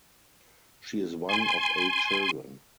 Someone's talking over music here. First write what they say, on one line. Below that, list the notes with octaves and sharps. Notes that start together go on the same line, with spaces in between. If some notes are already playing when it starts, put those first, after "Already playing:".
She is one of eight children.
G#5 C6